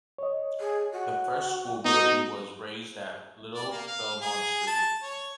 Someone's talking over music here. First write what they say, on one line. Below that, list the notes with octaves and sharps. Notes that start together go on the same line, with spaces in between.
The first school building was raised at Little Belmont Street.
C#5 D#5
G#4
F#4
B3 D#4 F#4
D5
A#3
F5
G#4
A5
C#5